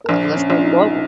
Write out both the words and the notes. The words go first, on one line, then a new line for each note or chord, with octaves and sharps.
a well, let's say global.
A#4
A#1 C5
C#4
A#1
F4
D#4